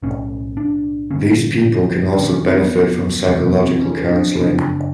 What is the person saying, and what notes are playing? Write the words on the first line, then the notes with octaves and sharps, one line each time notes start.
These people can also benefit from psychological counseling.
B1 A2 C#4
D4
A1 G2 D3 C#4
F1 D#2 D3 C#4
C#4
C4
B3
E1 E2 C3
B3
C4
C#4
D4
F#1 F#2 C#3 D4